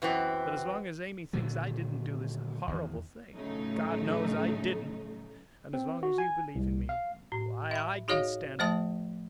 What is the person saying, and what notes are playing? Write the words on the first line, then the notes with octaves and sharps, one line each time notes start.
But as long as Amy thinks I didn't do this horrible thing--and God knows I didn't--and as long as you believe in me--why I can stand it.
F#2 E3 B3 C4
A#2 D3 D#3 F#3
E2 D#3
A2 C#3 F#3 A3 D#4
C4
F#4
G#5
C2
F5
A2
E5 B5
D#4 F#4 G#4 C#5 D#5 F5
F3 A3 C5 E5 A5 D#6